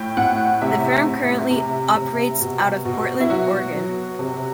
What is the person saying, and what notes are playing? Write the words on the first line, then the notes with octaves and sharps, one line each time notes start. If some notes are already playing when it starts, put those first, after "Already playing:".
The firm currently operates out of Portland, Oregon.
Already playing: A2 G5
A2 F#5
C3 E5
C3
C3
C3
B2
B2
E4
F#3 F#4
F#3
C3